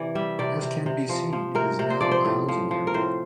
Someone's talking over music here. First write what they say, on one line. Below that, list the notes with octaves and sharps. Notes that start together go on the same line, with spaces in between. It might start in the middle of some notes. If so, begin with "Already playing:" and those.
As can be seen it is now a housing area.
Already playing: C3 E3 D5
G3 E5
C3 D5
C3
C3
F3
F3
C3 A#4
C3
C5
F3 D5
C5
A2
F3
F3
A#4
A2 C5